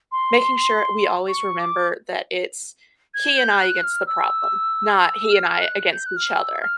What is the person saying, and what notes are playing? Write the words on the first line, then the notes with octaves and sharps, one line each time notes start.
making sure we always remember that it's he and I against the problem, not he and I against each other.
C6
C#6
D6
G#6
G6
F#6
F6
E6
E6
F6
F#6
G6
F#6
F6
E6
F6